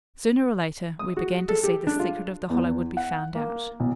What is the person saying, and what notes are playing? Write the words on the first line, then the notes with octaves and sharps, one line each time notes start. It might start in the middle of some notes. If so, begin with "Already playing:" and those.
Sooner or later we began to see the secret of the Hollow would be found out.
D#6
F#4
A4
G4
D4
F4
E2
F#5
A#3
B1